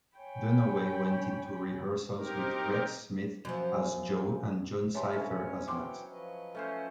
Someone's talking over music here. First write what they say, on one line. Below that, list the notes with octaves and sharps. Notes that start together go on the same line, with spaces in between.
Dunaway went into rehearsals with Rex Smith as Joe and Jon Cypher as Max.
C#5 G5 G#5 B5
C4 D#4 G4 A#4
F#2 F3
E3 G#3 G4 B4 C#5 A5 C6
F3 B3 C#4 D4 A4
G#3
E3 F#3 G5 C6 D6
F3 B4 D#5
A3 C#4 A4 C5